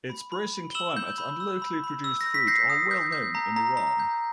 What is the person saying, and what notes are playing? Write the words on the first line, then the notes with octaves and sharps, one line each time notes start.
Its bracing climate and locally produced fruit are well known in Iran.
B5
B5
B5
G7
E6 E7 F#7
G6
B5
E6
B5
B5
E6
A#6
G6
B6
G6 A#6 C7
D#6
G6
G6
A#5
A#5
A#5
G6